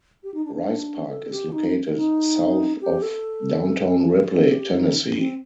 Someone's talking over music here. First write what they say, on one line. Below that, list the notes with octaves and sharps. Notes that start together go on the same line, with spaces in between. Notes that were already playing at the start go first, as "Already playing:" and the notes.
Rice Park is located south of Downtown Ripley, Tennessee.
G4
D#4
D4
D4
A4
G4
D#4
D#4
G4
A4
A4
A4
G4
D#4
C4